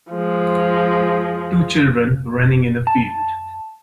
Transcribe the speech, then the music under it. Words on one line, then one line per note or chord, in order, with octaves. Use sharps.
Two children running in a field.
F3 G#3
A5